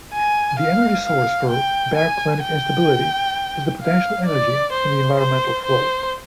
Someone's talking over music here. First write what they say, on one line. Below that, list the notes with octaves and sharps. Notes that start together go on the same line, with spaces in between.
The energy source for baroclinic instability is the potential energy in the environmental flow.
G#5
F5
F5
G5
G#5
G5
F5
D5
C5
C5
C5